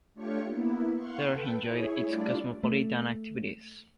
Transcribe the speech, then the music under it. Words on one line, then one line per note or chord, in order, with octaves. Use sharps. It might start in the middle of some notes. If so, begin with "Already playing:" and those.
There he enjoyed its cosmopolitan activities.
A3 D4 F4 G4 C#5 C#6
A#3 B3 E4
F5 F#5 C6 C#6
A4 B4 G5
E4 G#4 C#5
G3 A3 D4 E4 F4 D5
A3